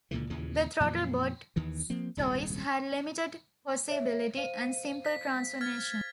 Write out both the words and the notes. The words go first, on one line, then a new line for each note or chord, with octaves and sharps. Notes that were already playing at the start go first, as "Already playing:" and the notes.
The Throttlebot toys had limited poseability and simple transformations.
C#2 A#2 D3 E3
D#2 A#2 C#3 E3
F2 A#2 E3 F#3
D#2 D#3 E3
F3 A#3 C4
D#1 C2 G#2 C#3
C#5 E5
C5 F5 D#7
B6
F6 G#6 A6